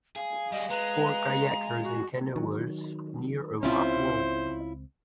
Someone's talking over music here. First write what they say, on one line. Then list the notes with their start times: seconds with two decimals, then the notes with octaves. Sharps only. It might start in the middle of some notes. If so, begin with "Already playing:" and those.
Four kayakers and canoers near a rock wall.
0.16 G#4 F5
0.52 G3 G#4 D#5
0.70 G#3 B4 A#5
1.84 F#4
2.36 D#3 F#3
3.63 C#2 C4 C#4 E4 F4 C5